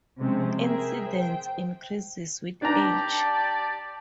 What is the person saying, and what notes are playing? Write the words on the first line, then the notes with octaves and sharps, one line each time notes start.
Incidence increases with age.
C3 F3 G#3 C4 C#4
G#4 A#4 E5 G5
C5 G5
D4 G4 D5 A5 A#5